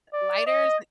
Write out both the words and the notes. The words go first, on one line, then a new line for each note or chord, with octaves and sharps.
lighters and
D5
D#5